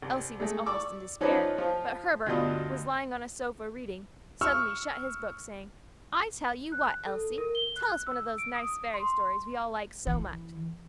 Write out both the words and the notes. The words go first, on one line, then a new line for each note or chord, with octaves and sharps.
Elsie was almost in despair; but Herbert, who was lying on a sofa, reading, suddenly shut his book, saying, "I tell you what, Elsie! tell us one of those nice fairy stories we all like so much!"
C2
G#3 A3
D5 C#6 D6 E6
F3 C#4 D#4 F4 B4 D5
F3 F4
D2 G2 B2 F4 D#5
C#6 E6 F6
F#6
A4
A#4
G7
F#6
E6
D7
D#6
C6
E3